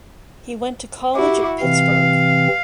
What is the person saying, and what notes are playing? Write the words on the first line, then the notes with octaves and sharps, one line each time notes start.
He went to college at Pittsburgh.
E4 F#4 G4
C3 E3 C4 F5